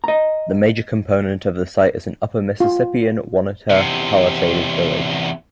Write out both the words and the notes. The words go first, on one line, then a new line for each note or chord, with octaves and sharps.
The major component of the site is an Upper Mississippian Oneota palisaded village.
D#5 A#5
F4
E2 C3